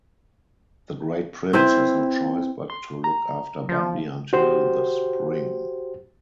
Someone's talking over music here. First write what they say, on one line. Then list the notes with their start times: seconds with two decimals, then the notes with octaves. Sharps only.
The Great Prince has no choice but to look after Bambi until the spring.
1.53 C4 E4 B4 C5
2.70 C6
3.04 A#5
3.69 F3
4.33 F#4 G4 C5